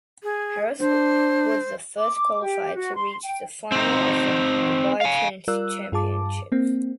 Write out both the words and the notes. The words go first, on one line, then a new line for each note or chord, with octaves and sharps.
Harris was the first qualifier to reach the final of the Dubai Tennis Championships.
G#4
D4 C5
D6
G4
F#4
C6
G5
C4 D#4
F5 G#5
G3 F4 A#4 D5 E6 F#6
G2 F4 G#4 A5 D6
A#3 C4